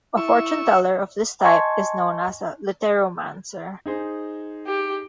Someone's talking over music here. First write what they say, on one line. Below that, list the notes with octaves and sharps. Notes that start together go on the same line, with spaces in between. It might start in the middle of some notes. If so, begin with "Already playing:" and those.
A fortune-teller of this type is known as a literomancer.
E4 E5 C#6
D#5 G#5 A5 C6 C#6 G#6
D#4 G#4 C5
G4